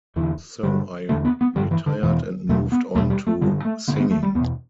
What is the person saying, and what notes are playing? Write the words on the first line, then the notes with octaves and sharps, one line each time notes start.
So I retired and moved on to singing.
E2 D3 E3
G2 D3 G3
E2 D3 A3
B3
B3
G2 D3 G3
E3
D3
E2 B2 E3
E2 B2 A3
B3
E2 B2 A3
G3
A3
G2 D3 G3
A3
G2 D3 B3
B3
A3
G3
E2 B2 B3